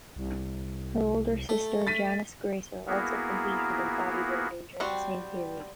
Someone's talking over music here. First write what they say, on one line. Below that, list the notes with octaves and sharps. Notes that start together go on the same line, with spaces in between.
Her older sister Janice Graser also competed in bodybuilding during the same period.
C2
A3
A6 B6 D#7
A#3 B3 E4 F#4 G#4 A#4
G3 C4 F#4